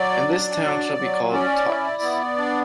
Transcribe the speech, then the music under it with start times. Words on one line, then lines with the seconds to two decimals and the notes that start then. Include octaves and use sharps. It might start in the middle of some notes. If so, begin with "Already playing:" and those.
And this town shall be called Totnes.
Already playing: F#3 D5
0.28 D4
0.62 F#3
0.98 F#3
1.33 C#4 D5
1.68 E4
2.02 B3
2.38 D4